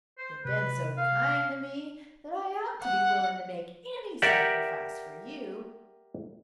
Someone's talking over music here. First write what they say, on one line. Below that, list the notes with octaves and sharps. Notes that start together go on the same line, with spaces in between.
You've been so kind to me that I ought to be willing to make any sacrifice for you.
C5
C3 B4
F5
F#5
G4 A#4 D5 E5 F#5